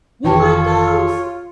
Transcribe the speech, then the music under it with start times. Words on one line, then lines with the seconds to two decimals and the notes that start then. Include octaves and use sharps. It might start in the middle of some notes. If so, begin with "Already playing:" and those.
You like those?
0.25 F1 D#3 E3 F4 B4 C#5 G5 A5